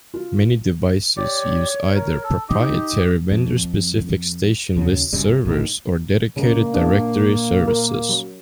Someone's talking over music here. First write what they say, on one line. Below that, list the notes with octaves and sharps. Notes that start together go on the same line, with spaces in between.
Many devices use either proprietary vendor-specific station list servers or dedicated directory services.
F4
G4 C#5 D5
A#4
A4
D#4 G4 D#5
F2
D#2 C#3 F#3
G1 F#2 C#3 G3
A#1 A2 D#3
A#2 C#3 G#3 A#3
D4
A#4
F#3